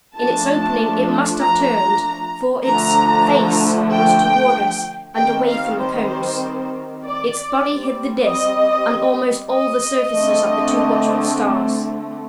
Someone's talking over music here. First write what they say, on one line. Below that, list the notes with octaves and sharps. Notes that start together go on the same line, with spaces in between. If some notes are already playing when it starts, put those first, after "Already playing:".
In its opening it must have turned, for its--FACE--was toward us and away from the Cones, its body hid the Disk, and almost all the surfaces of the two watchful Stars.
F3 A3 D4 A5
A#5
D3 F3 A3 A#5
G5
D#3 G3 C4 G5
F5
C5
D5
G3 C4
D#5
D#5
D3 A3 C4